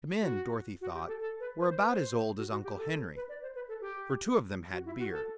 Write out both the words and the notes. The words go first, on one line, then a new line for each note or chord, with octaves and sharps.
The men, Dorothy thought, were about as old as Uncle Henry, for two of them had beards.
F#4
F#4
G4
A4
A4
B4
B4
C5
B4
C5
F#4
F#4
G4
A4
B4
D5
C5
B4
A4
G4
F#4
E4
F#4
A4